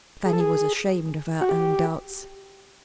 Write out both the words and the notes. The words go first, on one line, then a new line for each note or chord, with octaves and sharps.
Fanny was ashamed of her own doubts.
G#4
A4
G#4
F#4
G4